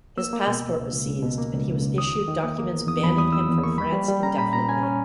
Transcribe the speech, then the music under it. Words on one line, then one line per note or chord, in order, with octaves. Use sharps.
His passport was seized and he was issued documents banning him from France indefinitely.
A#3 E6
A#3
B2
C#2
C#2
C#2
C#2
B2
A#3
C#2
C#2
C#2
D#3 D#6
E2
D#3
A#3
A#3
E2
E2 D#6
E2 B5
E2 D#6
D#3 E6
E2
A#3 C#6
G3 B5
G3
G3
C#4 A#5
A#2 B5
A#2 A#5
C#4 G#5
C#4